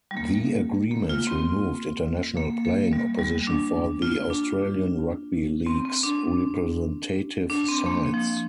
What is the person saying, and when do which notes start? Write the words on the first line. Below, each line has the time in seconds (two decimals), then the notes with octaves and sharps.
The agreements removed international playing opposition for the Australian Rugby League's representative sides.
0.11 G3
0.17 A#3
0.91 A#3
1.09 F4
1.27 C4
2.37 A#3
2.65 A#3
2.93 G3
3.19 G3
3.47 D4
4.02 F4
4.30 D4
5.66 C4
5.85 C4
6.03 D4
7.50 D4
7.68 C4
7.86 A#3
8.14 F3